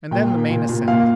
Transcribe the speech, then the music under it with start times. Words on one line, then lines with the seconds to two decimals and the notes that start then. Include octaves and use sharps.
And then the main ascent.
0.11 A#2 G5
0.31 A#3
0.50 A#2
0.69 A#2
0.88 A#2 F5